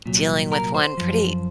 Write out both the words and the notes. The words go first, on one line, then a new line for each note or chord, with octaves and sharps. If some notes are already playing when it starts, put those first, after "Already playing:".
dealing with one pretty
C2 A#2 F#3
A#4
C5
F#2 F3